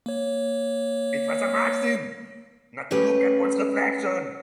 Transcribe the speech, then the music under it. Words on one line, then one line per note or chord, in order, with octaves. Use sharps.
It was a maxim not to look at one’s reflection.
A#3 C#5
A3 C#4 G4 G#4 B4